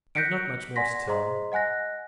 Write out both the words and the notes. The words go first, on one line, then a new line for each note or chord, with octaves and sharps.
I have not much more to tell.
F#6 G6 A#6 B6 C#7 D7
D5 F#5 G#5 C6 A#6 B6
G#4 C5 D#5 A#5 C6
D#5 F#5 G#5 F#6 A#6